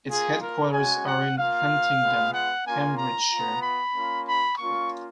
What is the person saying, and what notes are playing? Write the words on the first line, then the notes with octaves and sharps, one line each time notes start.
Its headquarters are in Huntingdon, Cambridgeshire.
A#3 F4 G#4
A#4
G#3 C#4 F#4 G#5
F#5
A#3 F4 F5
G#3 B3 F4
F#5
A#3 C#4 F4 G#5
A#5
B3 F4
B5
A#3 C#4 F4
B5
A#3 C#4 F4 C#6